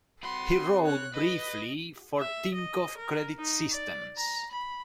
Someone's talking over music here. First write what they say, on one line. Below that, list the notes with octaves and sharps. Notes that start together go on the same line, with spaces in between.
He rode briefly for Tinkoff Credit Systems.
C4 F#4 B5 C6
C#5 F#6
B4 D#5
E5
D#5
A#4
D#4
D5
A#5
B5